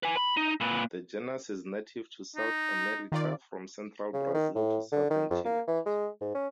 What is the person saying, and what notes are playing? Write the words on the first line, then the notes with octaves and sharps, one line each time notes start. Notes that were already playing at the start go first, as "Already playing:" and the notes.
The genus is native to South America from central Brazil to southern Chile.
B4 G#5
B5
D#4
A#2 B4
D#4
D#3 F4 D5
C#3
D#3
A2
D3
D#3
F2
A#3
E3
G#3
G#2
C#4